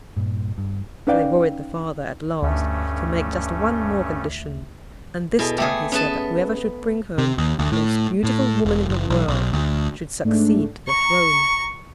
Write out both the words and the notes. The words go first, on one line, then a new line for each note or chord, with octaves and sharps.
So they worried the father at last to make just one more condition; and this time he said that whoever should bring home the most beautiful woman in the world should succeed to the throne.
G2 A#2
G2
C#4 D#4 B4 D5 F5 G5
D2 G2 A3 C#4 E5
B2 E4 G#4 A4
A3 B3 G#4 E5 G5 D6
B3 C#4 G#4 B4 A5
C3
D#2
D2
A2
A2
E1
F#1
B1
B1
D2
G#2 A3 D4
A#5 C#6